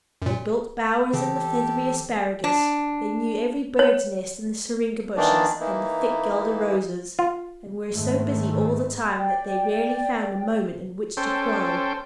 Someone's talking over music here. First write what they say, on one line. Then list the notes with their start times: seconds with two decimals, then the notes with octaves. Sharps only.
They built bowers in the feathery asparagus; they knew every bird's-nest in the syringa-bushes and the thick guelder-roses, and were so busy all the time that they rarely found a moment in which to quarrel.
0.22 F#2 A#2
1.13 C#3 E3 G4 A4
2.44 D4
3.79 C#5
5.17 D#3 E3 A#3 D4 D#4 D5
5.60 E3 A#3 D#4 E4
7.19 F4
7.92 G#2 D#3 G#3 A3
9.17 D5 G5
11.17 C#4 A4 C5 G5